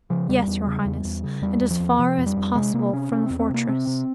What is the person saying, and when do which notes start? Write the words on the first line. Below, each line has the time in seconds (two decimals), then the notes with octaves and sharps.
"Yes, your highness, and as far as possible from the fortress."
0.10 C#3 F3
0.29 E2 G3
0.47 E2
0.67 C#3
0.85 E2
1.05 E2
1.24 C#3
1.41 E2 G3
1.60 E2
1.70 F3
1.80 E2
1.99 C3 F3
2.18 F2
2.26 G3
2.37 F2
2.55 C3 G#3
2.74 C3 A#3
2.93 C3 C#4
3.11 C3 C#4
3.26 E2 C4
3.39 C4
3.50 C3 A#3
3.68 C3 C4
3.87 C3